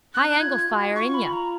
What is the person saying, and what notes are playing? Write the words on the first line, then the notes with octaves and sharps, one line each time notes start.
High angle fire, inyah!
C#4 F#6
D#4
F4 G#6
F#4
D#4
F4 C#6
B5
A#5